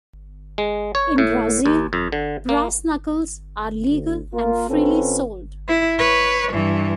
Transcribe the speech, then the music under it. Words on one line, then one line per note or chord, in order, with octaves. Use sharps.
In Brazil, brass knuckles are legal and freely sold.
G#3
C#5
A2
D#2
F2
D3
A#3
D2
A#3 F4 A#4
D3 C4 C#4 F4 A4 B4
E4
B4 C#5
G2 E3